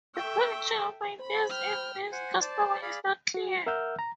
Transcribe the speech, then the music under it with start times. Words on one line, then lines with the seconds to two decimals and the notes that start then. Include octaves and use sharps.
The connection of ideas in this custom is not clear.
0.16 A4 E5 G5 C#6 E6
1.19 C5 B5
1.50 G5 F6
2.12 C5 F#5 G#5
2.41 C5 D5 A5
2.82 G#4 D5 F5 B5
3.34 F#4
3.66 A#4 E5 F#5 E6 F6 G6
3.99 A#5